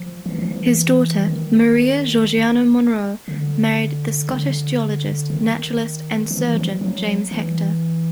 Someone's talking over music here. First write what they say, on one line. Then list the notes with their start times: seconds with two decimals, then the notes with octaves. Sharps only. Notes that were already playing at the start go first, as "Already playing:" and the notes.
His daughter, Maria Georgiana Monro, married the Scottish geologist, naturalist, and surgeon James Hector.
Already playing: F3
0.26 E3
0.38 F3
0.51 E3
1.27 D#3
3.28 D3
4.29 D3
5.30 D#3
6.31 E3
6.56 F3
6.81 F#3
7.31 E3